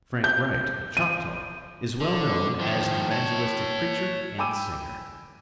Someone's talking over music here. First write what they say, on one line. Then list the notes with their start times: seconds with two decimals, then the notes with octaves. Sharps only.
Frank Wright, a Choctaw, is well known as an evangelistic preacher and singer.
0.24 G6
0.97 D#7
2.00 D3
2.59 D#3 F3
3.11 C#5 A5
4.38 G5 G#5 B5 D6 E6 D#7